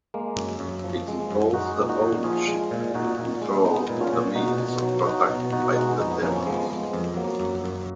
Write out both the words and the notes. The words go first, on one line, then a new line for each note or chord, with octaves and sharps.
It involves the ownership and control of the means of production by the demos.
G#3 A#3
F#2
F#2
F3
G#3
F#2
G#3 D#4 F#4
A#2
D#4 F#4
A#2
F3 F4 G#4
G#3
A#2
A#2 D#4 F#4
A#2
G#3
G#3 B3 D#4
A#2
C#4 F4
A#2
B2 D#4 F#4
B2
F#3
F#3 D#4 F#4
B2
B2 D#4 F#4
G#3 D#4 F#4
F2 B3 D#4
F2 A#3 C#4
F3 G#3 B3
G#3
F2
F#3 A#3
F#2
F#2